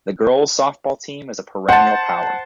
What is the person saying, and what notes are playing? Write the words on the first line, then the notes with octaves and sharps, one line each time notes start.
The girls' softball team is a perennial power.
C5 F#5 A5